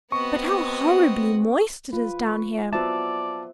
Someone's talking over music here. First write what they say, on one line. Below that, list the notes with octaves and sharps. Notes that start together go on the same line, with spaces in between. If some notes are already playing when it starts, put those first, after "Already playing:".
But how horribly moist it is down here!
B3 C4 F#4 D#5 C#6
F4 B4
C#6
F#3 B3 F4 C5 D5 E5 A5